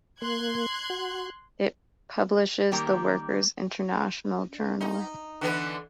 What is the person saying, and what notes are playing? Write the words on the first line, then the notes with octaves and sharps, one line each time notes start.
It publishes the "Workers International Journal".
A#3 C6 F#6 G#6
F#4
D#3 G3 A#3 G4 A#5
D#4
D3 E3 B3